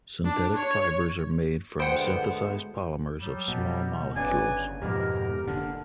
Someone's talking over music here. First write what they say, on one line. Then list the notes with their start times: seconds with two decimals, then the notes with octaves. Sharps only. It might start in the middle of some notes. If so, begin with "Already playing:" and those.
Synthetic fibers are made from synthesized polymers of small molecules.
0.25 D4
0.56 C#5
1.80 D2 D3 G#3 B3 C5 F#5 G5
3.20 F#3 G3
3.48 B2
4.16 G1 C#3 B4 D5 G#5
4.82 F2 G#2 B2 G4 A#4
5.44 F#1 D3